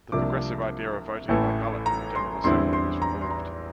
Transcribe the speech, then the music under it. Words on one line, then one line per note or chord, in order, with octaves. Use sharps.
The progressive idea of voting by ballot in the General Assembly was removed.
C2 C3 F3 A#3 D4 D6
A1 A2 E3 A3
A#5
C6
E2 D3 G3 C4 E4 C6
C6
A#5
C6
A#5